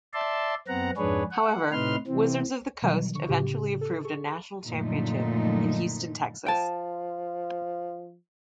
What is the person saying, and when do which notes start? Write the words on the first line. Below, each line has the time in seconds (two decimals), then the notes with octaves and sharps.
However, Wizards of the Coast eventually approved a national championship in Houston, Texas.
0.13 D5 E5 A5 C6
0.68 F#2 B3 C4 F#5 A#5
0.97 F2 G#2 D4 G#4 B4 C#5
1.31 F#5
1.72 A2 C3 D#4 B4 C6 F6
2.07 C3 E3 C4
2.82 B2 D#3 E3 F#3 G3
3.15 D3 C#6
3.29 A2 C#3 G4
3.81 A4
4.05 G#4 A4 C#6
4.65 F#2 A#2 D3 F3 A3 D#4
6.47 F3 G5 A5